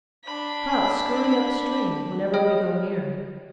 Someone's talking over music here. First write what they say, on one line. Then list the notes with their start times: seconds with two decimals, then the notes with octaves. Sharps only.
Trout scurry up stream whenever we go near.
0.25 D4 B5
2.34 C#5 D#5 G5 B5 D#6 F6